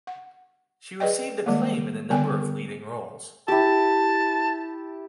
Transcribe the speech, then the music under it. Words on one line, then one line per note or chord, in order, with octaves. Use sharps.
She received acclaim in a number of leading roles.
F#5
G#4 B4 D5 D#5 G5
D#3 G3 G#3 A#3
D3 G3 B3 A#4 G5 G#5
E4 G4 A5